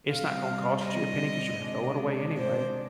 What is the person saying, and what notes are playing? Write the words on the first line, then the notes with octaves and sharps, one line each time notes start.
It's not gon cost you a penny 'cause you're gonna throw it away anyway."
C3 G3 C4 F5
D#5
C3 D#3 G#3 D4
C5